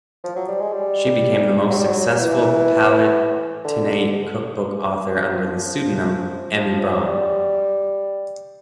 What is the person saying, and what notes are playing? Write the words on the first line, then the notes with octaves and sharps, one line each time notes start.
She became the most successful Palatinate cookbook author under the pseudonym "Emmy Braun".
F3
F#3
G3
G#3
G3
F#3
G3
F#3
E3
D3
F3
F#3
F3
F3
F#3
G3